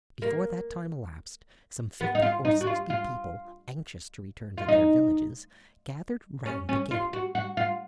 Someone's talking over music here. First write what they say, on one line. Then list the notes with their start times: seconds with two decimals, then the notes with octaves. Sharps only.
Before that time elapsed some fifty or sixty people, anxious to return to their villages, gathered round the gate.
0.22 A#3
2.01 B3
2.15 D#4
2.22 F4
2.45 D#4
2.61 F#4
2.67 F4
2.90 F4
4.58 F4
4.69 D#4
6.46 C#4
6.69 C#4
6.91 F4
7.13 F#4
7.35 F#4
7.57 F4